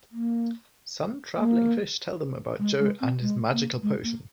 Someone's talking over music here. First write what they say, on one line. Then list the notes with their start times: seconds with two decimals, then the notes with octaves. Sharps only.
Some traveling fish tell them about Joe and his "magical potion".
0.12 A#3
1.36 A#3
2.59 G#3
2.79 G#3
3.00 C4
3.21 G#3
3.52 A#3
3.82 G#3
4.03 A#3